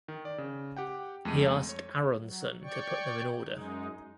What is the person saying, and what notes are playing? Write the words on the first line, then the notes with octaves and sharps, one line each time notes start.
He asked Aronson to put them in order.
D#3
D5
C#3
G4 F#5 G5
F2 G#3 A3 D#7
C#5
F#3
C#5 D5 G5 C#6
F#2 G#3 D#4